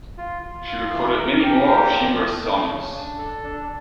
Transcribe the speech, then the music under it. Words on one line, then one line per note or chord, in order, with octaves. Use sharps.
She recorded many more of Shemer's songs.
F4
F4
F4
E3
A#4
G4
A#2
F3
A3
A3
C#3
D4
A4
D4